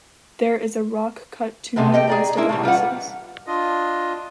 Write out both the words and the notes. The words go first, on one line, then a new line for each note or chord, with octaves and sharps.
There is a rock-cut tomb west of the houses.
C3 G#3 A3 B3
G4 A4 D#5 F5 G5
G#4 D5 A#5
G#3 A#3 D4 E4
A2 E3 G3
G3 F4 B4 F#5
D4 F4 D#5